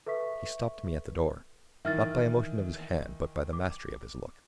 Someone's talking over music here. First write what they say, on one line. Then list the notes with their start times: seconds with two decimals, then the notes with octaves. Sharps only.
He stopped me at the door--not by a motion of his hand but by the mastery of his look.
0.06 A4 B4 E5 C#6 B6
1.85 D#3 E3 E5 F6 A6
3.53 D6